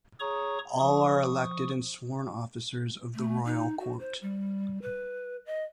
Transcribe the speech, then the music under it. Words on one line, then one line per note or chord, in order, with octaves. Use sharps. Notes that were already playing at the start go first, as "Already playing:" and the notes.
All are elected and sworn officers of the Royal Court.
G#4 C#5 A#5 C#6 D#6
F3 C#6 D#6
A3
D#4
F#4
C5
G3
B4
D#5